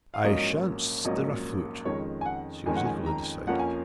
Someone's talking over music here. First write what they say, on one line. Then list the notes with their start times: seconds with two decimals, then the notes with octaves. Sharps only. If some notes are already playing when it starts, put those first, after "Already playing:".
"I shan't stir a foot." She was equally decided.
0.14 F5
0.24 A#1 G#2 F#3 A#3 C#4 D#5
1.05 A#1 G#2 F#3 A#3 C#4 D#5
1.85 F2 D#3 G#3 C#4 C#5
2.21 G#5
2.26 F#5
2.66 F2 D#3 G#3 C#4 G#5
2.76 F#5
2.85 G#5
3.06 A#5
3.47 F2 F3 A#3 C#4 F#5
3.59 G#5